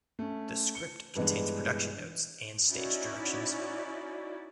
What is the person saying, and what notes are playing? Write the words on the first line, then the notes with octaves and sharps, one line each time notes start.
The script contains production notes and stage directions.
A3 C#4
C#7 G7
G2 E3 G#3 B3
C#4 D#4 E4 F#4 D5